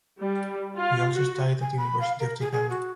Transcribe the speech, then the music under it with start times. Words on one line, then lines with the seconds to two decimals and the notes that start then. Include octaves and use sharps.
He also studied at University of Chicago.
0.22 G3
0.76 F4
1.14 F#4
1.61 G#5
1.78 B5
2.01 F5
2.20 A#4
2.40 G#4
2.52 G#4
2.70 F#4